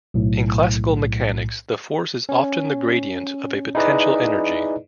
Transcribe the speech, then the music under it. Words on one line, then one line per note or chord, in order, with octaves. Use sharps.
In classical mechanics the force is often the gradient of a potential energy.
B1 A2
C#4
D#4 E4 G#4 B4 D5 D#5